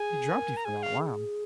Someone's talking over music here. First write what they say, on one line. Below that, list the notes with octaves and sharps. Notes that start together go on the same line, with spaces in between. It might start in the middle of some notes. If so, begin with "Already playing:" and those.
He dropped you for that, wow.
Already playing: G#4 G#5
A#4
A#5
G#4 G#5
F5